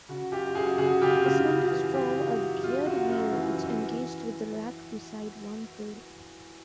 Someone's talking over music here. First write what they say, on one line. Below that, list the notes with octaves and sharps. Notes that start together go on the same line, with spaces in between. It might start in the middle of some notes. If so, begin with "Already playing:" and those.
The cylinders drove a geared wheel which engaged with the rack beside one rail.
C#3 F#4
F#2 F4 G4
F#2 F#4 G#4
C#3 F#4 G#4
C#3 F4 G4
C#3
C#3
E3
F#2 F4 G4
C#3 F#4
F#2 F#4
F#2 F4
F#2 F#4
F#2
E3
E3
E3